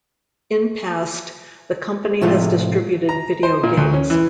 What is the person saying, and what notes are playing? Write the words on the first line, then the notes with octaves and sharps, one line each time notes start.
In past, the company has distributed video games.
A2 C3 F3 G#3 A3 F4
A#5
C5
A#2
D2
C#4
E3